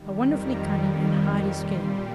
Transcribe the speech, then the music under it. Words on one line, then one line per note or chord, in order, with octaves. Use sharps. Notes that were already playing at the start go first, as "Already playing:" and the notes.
A wonderfully cunning and hardy scheme!
Already playing: F2 D#3 G3
A#5
A#2 G3 C6